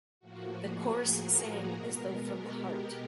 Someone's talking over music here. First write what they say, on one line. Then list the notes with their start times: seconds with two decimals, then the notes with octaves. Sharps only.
The chorus sang as though from the heart.
0.20 A2 F3 A#3 F#4
0.58 G#4
0.96 A#4
1.72 B2 G#3 B3
2.48 G4